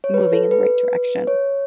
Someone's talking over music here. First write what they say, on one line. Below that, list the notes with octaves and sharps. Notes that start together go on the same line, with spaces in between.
moving in the right direction.
C#5
B4
A4
B4
C#5